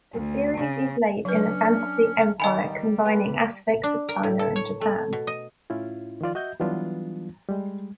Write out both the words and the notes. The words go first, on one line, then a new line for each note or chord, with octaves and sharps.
The series is laid in a fantasy empire combining aspects of China and Japan.
D2
C#3
F#3 C#4 D4 B4
D#3 G3 D#5 G#5 B5
A#3 B4 G5
D4
A#4
A2
A4
C#5
A3
B2
D#5
A2 C#4 E4 F4
D#3 F3 F4 D5
F#4 D#5 E5 G6
E3 F#3 G3 B3 D4 F4
G3 G#3